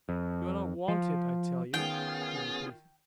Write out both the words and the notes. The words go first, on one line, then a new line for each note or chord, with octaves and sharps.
"You are not wanted, I tell you," he repeated.
F2
F3
D#3 B3 C#4 F4 G#4 G5